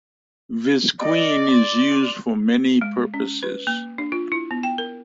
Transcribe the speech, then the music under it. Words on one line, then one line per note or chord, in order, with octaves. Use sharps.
Visqueen is used for many purposes.
D5 D#5
C6
G#3
C#4
B4
A#3
D4
F4
E4
B3
G5
A#4